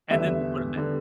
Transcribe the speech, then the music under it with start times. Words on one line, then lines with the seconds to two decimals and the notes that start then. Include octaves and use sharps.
and then they put 'em back.
0.11 E2 D3 G3 B3 E5
0.76 D3 G3 B3